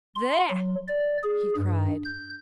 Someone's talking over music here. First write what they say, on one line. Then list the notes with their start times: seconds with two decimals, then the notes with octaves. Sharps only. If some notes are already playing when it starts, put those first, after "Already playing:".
"There!" he cried.
0.15 C6
0.51 F#3
0.88 D5
1.23 G#4
1.57 G2
2.05 G6